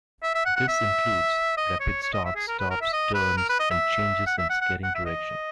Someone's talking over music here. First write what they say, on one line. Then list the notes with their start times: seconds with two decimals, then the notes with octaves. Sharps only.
This includes rapid starts, stops, turns, and changes in skating direction.
0.23 E5
0.35 E5
0.46 F#5
0.56 F#5
0.68 E5
1.57 D#5
1.80 C#5
2.03 C#5
2.13 D#5
2.25 E5
2.36 G#4
2.48 A#4
2.59 B4
2.71 A#4
2.81 E5
2.93 D#5
3.15 B4
3.37 A#4
3.49 B4
3.59 D#5
3.71 E5
4.27 F#5
4.38 E5
4.50 F#5
4.62 F#5
4.84 F#5
4.95 E5
5.06 D#5